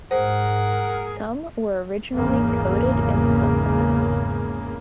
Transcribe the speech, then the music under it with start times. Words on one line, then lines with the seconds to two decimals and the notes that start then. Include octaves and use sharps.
Some were originally coated in silver.
0.11 G#2 G#4 A#4 C5 F#5
2.13 G#1 E2 G#2 C#3 A#3